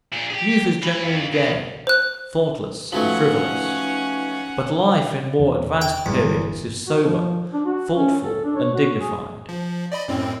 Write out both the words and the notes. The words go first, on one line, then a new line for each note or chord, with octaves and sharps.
Youth is generally gay, thoughtless, and frivolous; but life, in more advanced periods, is sober, thoughtful, and dignified.
A#2 D4
G4 G#4
E3
F2
E2
C5 F#6
F3 F#3 A3 C#4 D#4 B4 F#5
E2
G5
G1 E2 G#2
G1 E3
F#4
F3
D4
F#4
C#4
A4
D4
C#5
F#4
G#4
F3
D5 D#5 B5
F#2 A2 C4